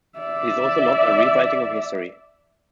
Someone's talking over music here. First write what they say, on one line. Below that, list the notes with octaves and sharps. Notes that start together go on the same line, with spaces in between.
It is also not a rewriting of history.
D5 E5